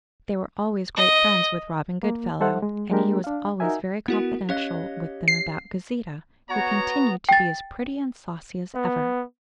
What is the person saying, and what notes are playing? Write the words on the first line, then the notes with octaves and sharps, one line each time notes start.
They were always great friends with Robin Goodfellow, and he was always very confidential with them about Gauzita, who continued to be as pretty and saucy as ever.
D#5
A#3
G3 D#4 A4 C5 E5 F#5
G#3
G#3 A#3 D4 G4 A#4
D4 F5
D#4 F#4 A#4 E5 G#5
B3 E4 F#4 A#4 F#5
C#4 G4 C#5 D#5 F5 F#6
C7
B3 F#4 C#5 A#5
G5 A6
B3